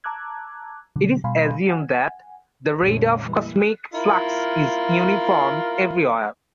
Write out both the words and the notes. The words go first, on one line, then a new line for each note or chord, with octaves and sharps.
It is assumed that the rate of cosmic flux is uniform everywhere.
A5 A#5 D6 E6 F#6 G#6
B2 D3 F#3
B2 G3 F5 G#5 B5 C6
F#5 G#5
F1 A#1 A#2 D3 G#3 C#4
E3 G3 G#3 A#3
E4 F4 A#4